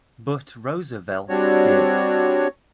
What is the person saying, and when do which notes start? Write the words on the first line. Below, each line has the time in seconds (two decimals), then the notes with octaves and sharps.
But Roosevelt did.
1.29 G3 C4 D4 F#4 C#5